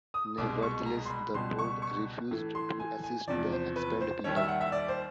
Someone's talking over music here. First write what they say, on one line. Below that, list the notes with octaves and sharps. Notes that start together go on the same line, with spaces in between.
Nevertheless, the Board refused to assist the expelled people.
D#6
C2 B2 G#3 D6
C#6
A#5
C6
B5
C#2 B2 G3 C6
C#6
C#6
A2 E3 A3
C6
G#5
G#5
E2 C3 F3 D5
C5
B4
C5
D#2 D#3 G3 C#5
E5
F#5
E5
D5
C5